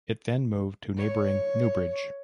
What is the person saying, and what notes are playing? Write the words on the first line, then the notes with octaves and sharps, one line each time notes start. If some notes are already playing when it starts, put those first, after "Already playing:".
It then moved to neighbouring Newbridge.
C#5